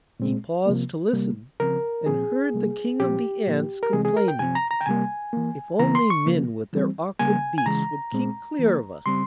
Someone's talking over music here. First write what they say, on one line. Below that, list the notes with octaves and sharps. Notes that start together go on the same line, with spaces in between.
He paused to listen, and heard the King of the Ants complaining: 'If only men with their awkward beasts would keep clear of us!
A#2 G#3 C4
C3 F3 A#3
C3 G3 A#3
C#3 F3 C4 A#4
A#2 F3 C4 G#4
C3 G3 A#3
A#2 F3 C4 G4
A#2 F3 A#3
A#4
C3 E3 G#3 C4 G#4
G#4
A#4
G5
C3 F3 C4 G#5
A#5
A#5
G5
C3 G3 A#3 G#5
E3 A#3
C#3 E3 A#3 A#5
C6
C#6
C#3 F3 A#3
E3 G3 C4
C#3 G3 A#3 G#5
G#5
C#3 E3 G#3 A#5
A#2 G#3 C4
E3 A#3
C#3 G3 C4 C6